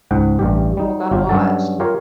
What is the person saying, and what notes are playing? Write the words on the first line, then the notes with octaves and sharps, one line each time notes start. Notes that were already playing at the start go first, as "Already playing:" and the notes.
People gotta watch.
C#2 G#2 F#5 G5
A1 G2 G4
G3 D#4
G1 F4 G4
G2 F#3 C#4 F#4 A4 A5
F4 G4 A#4 C#5 F5